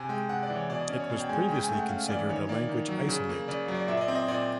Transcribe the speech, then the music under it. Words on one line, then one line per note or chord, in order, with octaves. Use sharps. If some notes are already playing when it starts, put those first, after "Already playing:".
It was previously considered a language isolate.
Already playing: C3 G#5
G#3 G5
C3 F#5
D5
E3
C#5
B2 D5
D#5
C#4 D5
C#5
B2 D5
G5
G#3 G#5
C#3 G5
G#5
A3 G5
F#5
C#4 F5
E3 D5
D#3 C#5
A#3 D5
D#3
F#3
C#3
A#3
C#3 D5
F#3
D5
A#2 E5
D5
D#5
C4
D#5
A#2 D5